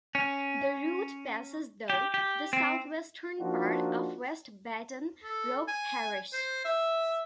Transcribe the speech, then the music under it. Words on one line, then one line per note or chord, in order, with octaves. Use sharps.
The route passes though the southwestern part of West Baton Rouge Parish.
C#4
G4
G4
C4
F3 A#3 D4 D#4 F4 F#4
A4
G#5
C5
E5